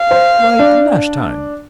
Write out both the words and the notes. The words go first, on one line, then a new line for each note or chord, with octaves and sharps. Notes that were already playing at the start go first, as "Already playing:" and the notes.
"Like last time?"
Already playing: F5
C5
D4